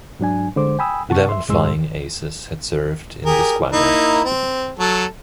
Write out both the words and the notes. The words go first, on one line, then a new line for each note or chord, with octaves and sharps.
Eleven flying aces had served in the squadron.
G#2 F#3 D4 G#5
D3 G#3 C5 D6
G5 G#5 B5 D#6 E6
C3 F#5 A5 C#6
E5 C6
C2 F2 G#2 G#3 C6 E6
G4 G#4 A#4
A#3 D#4 E4
C4
F#3 A4 A5